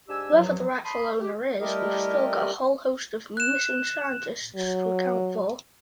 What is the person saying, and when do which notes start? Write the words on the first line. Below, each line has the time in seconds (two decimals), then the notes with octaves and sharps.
Whoever the rightful owner is we've still got a whole host of missing scientists to account for.
0.09 G#2 D4 G4 G#5 E6
0.34 G2 F3 F#3
0.85 A5 B5 C6 D#6
1.21 G4
1.60 G3 A3 E4 G4 A#4 D#5
3.37 F#6 E7
4.56 F#3